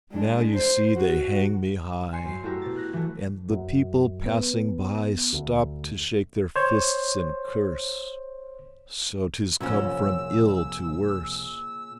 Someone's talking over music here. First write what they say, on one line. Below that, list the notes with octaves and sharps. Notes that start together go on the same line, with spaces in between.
"Now, you see, they hang me high, And the people passing by Stop to shake their fists and curse; So 'tis come from ill to worse."
G#3 D4
C5
F#4
G#5 C6 C7 C#7
F#2 C7
A3 E4 F#4 G4 A#4
B2 A6
F#6 A#6
E3 A3
F#2
B3
D2
C5 C#5
C2 F2 A#2 C#3 C#4 B5 E6